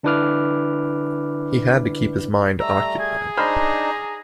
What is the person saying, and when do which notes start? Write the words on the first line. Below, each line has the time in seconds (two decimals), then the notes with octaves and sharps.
He had to keep his mind occupied.
0.03 D3 D4 E4 B4 D6 F6
2.60 G3 A3 A#5 E6
2.99 G#4 G#6
3.37 D4 D#4 C5 A#5 B5 F6